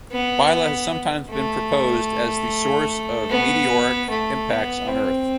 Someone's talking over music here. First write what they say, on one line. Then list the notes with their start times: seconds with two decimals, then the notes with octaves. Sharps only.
Biela has sometimes been proposed as the source of meteoric impacts on Earth.
0.12 B3
1.31 A3
3.30 B3
4.09 A3
4.49 B3
4.88 C4